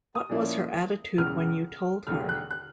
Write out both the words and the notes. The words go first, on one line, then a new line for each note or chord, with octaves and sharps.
What was her attitude when you told her?
D#6
A#2 F3 A#3 C#4 E4
E1 E2 C#3 F6
E1 D#2 D3 F6
F#6
F#6